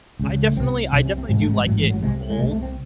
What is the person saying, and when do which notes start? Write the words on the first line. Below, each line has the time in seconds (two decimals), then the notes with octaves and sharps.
I definitely I definitely do like it cold.
0.20 C#2 C#3
0.45 A3
0.56 C2 C3 C4
0.93 C2 D#3
0.96 C3
1.06 C#4
1.18 C4
1.29 A1 G#2 C4
1.41 A3
1.54 G#3
1.65 A1 F#3
1.69 G#2
1.79 E3
1.90 F#3
2.03 C2 C3 G#3
2.30 G#3
2.38 C2 C3 A3
2.51 A3
2.62 C4